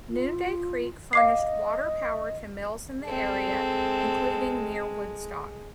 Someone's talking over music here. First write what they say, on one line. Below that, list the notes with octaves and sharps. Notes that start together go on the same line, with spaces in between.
Noonday Creek furnished water power to mills in the area, including near Woodstock.
F4
D#5 F5 D6 C7
G#3 C4 A4